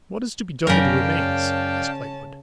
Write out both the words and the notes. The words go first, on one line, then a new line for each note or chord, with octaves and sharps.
'What is to be done with the remains?' asked Lightwood.
F#2 C#3 C#4 A#4 D5 F5 G5 A5